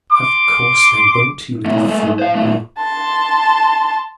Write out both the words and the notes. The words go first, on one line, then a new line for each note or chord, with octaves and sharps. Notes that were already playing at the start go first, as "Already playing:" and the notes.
"Of course they won't, you little fool, you."
C6 D6
A#2 A3
G#3 A3
C5 F5
B1 A3
A5 C6